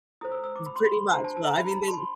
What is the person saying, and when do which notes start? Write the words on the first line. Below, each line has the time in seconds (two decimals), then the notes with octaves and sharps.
M pretty much. Well, I mean they
0.21 E4 A4 C5 D#6
0.32 E6
0.44 E6
0.56 D6
0.66 B5
0.76 C6
0.84 B5
1.13 D4 G4 C5 A#5
1.24 A5
1.37 A5
1.47 A#5
1.59 B5
1.71 A#5
1.83 A5
1.88 C6
1.93 B5